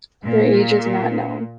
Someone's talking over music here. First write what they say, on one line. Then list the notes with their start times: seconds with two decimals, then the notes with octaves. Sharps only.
Her age is not known.
0.25 A#2